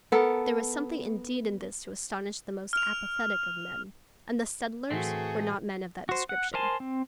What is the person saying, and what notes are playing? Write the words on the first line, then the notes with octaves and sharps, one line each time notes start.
There was something indeed in this to astonish the most apathetic of men, and the settlers were not men of that description.
B3 A4 A#4
F6 F7
A2 E3 A3 C4 F#4 G#4
F#4 C5
F#5
A#4 C5 G#5 A5 C6
C4